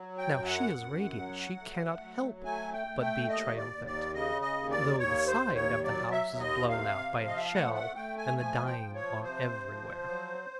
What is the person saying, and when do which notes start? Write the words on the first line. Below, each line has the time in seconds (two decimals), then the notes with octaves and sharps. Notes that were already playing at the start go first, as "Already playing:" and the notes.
Now she is radiant, she cannot help but be triumphant, though the side of the house is blown out by a shell and the dying are everywhere.
Already playing: F#3
0.18 G5
0.32 F#2
0.46 F#5
0.74 F#2
1.18 F#3
1.59 A3
2.01 F#3
2.44 A3 G#5
2.73 G5
2.87 A3
3.01 G5
3.29 D#2 D#5
3.57 D5
3.72 D#2
3.86 D5
4.14 C#3 D#5
4.42 D#5
4.56 D#2
4.71 D5
4.99 D#2 C#5
5.27 C5
5.42 D#2
5.55 C#5
5.83 F#3 D5
6.11 E5
6.26 D#2
6.40 D#5
6.68 C3 F5
7.11 F3
7.27 D#5
7.36 E5
7.45 F5
7.53 A3 F#5
7.74 F#5
7.96 A3 G5
8.18 G#5
8.38 F3 G#5
8.66 G5
8.80 F3
8.95 C#5
9.23 C3 C5
9.66 F3
10.08 F#3